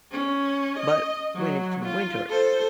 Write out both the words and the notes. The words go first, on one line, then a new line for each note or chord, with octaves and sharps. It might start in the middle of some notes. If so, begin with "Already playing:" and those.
but, when it's winter,
C#4
D#5
F#3
F4
A4 C5